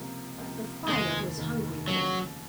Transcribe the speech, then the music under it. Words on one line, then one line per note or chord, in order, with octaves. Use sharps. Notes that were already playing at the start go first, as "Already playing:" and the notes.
The fire was hungry for them.
Already playing: C#2 C3 F3 A#3
C#2 C3 F3 A#3
F1 D#2 D#3 G#3
F1 D#2 D#3
D#2 C#3 F3 F#3 G#3 C#4